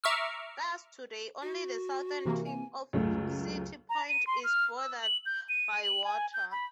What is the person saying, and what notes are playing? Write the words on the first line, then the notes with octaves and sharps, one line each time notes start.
Thus today only the southern tip of City Point is bordered by water.
E5 A#5 C#6 D6 E6 F6
F#4
C3 E3 A#3
G#5
C#2 F#2 A3
A#5
D#7
C6
F6
E6
F#7
G6
D#7
F#7
G#5
G6
B5